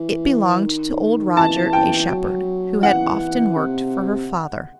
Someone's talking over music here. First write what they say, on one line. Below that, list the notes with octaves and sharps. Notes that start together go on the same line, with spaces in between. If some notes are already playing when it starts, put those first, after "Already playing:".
It belonged to old Roger, a shepherd, who had often worked for her father.
Already playing: E3
D#3
E3 A5
G5
F#3
E3 F#5
C3